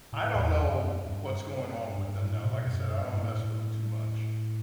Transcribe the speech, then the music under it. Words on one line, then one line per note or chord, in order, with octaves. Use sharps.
I don't know what's going on with them now, like I said, I don't mess with 'em too much,
A2
E2
F#2
G2
G2
A2
B2
F#2
G2
A2
A2